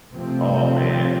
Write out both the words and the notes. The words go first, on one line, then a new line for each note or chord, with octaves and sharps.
Oh, man.
C3 F3 A3 C4